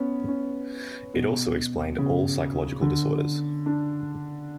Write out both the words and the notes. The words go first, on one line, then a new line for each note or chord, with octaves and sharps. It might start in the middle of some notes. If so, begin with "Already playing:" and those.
It also explained all psychological disorders.
Already playing: B3 C#4
C#4
B2
C#3
D3
D4